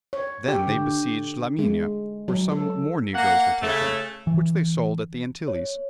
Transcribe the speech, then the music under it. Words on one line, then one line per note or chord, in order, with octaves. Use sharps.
Then they besieged La Mina, where some more negroes were taken, which they sold at the Antilles.
C#5
G4
D3
G#3
F#3
A4
A#3 F#5
C#3 A3
E3
C#5